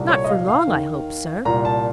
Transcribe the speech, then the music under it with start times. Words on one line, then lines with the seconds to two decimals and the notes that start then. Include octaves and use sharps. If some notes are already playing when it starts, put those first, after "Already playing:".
"Not for long, I hope, sir."
Already playing: C2 A#2
0.09 C#5
0.24 D#5
0.29 F5
0.48 F5
0.67 D#2 D#3
1.45 C2 A#2 A#5
1.65 A5